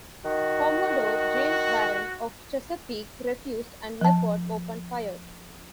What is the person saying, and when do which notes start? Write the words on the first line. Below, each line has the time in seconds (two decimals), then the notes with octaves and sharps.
Commodore James Barron of "Chesapeake" refused and "Leopard" opened fire.
0.25 D#3 F#4
4.01 F3 A5